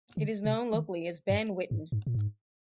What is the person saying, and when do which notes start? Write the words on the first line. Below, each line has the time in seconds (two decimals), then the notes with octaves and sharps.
It is known locally as "Ben Whitton".
0.17 D3
0.45 C3
0.73 D#3
1.30 G2
1.71 G#2
1.92 G#2
2.07 A#2
2.15 G#2